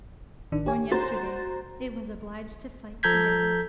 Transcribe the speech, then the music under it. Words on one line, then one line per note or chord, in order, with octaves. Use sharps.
Born yesterday, it was obliged to fight to-day.
A1 D#3 D4
G4 C#5 G#5
F#4 C5 A#5 A6
F3 A4 A#5 G6 G#6 B6